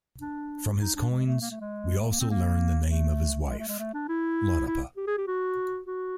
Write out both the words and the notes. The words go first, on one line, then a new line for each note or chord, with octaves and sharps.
From his coins we also learn the name of his wife, Iotapa.
D4
D#4
D4
G#3
A3
A#3
A3
G#3
A3
A#3
C4
A#3
A3
G#3
A3
G#3
A3
D4
E4
E4
G4
G#4
G4
F#4
F#4